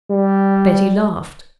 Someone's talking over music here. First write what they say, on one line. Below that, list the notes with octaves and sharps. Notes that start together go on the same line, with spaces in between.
Betty laughed.
G3